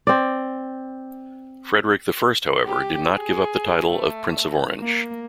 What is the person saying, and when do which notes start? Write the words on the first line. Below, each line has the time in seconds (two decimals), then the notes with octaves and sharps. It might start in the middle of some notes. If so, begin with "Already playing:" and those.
Frederick I, however, did not give up the title of Prince of Orange.
0.07 C4 D5
2.65 G4
3.12 G#4
3.91 A3
4.80 A#3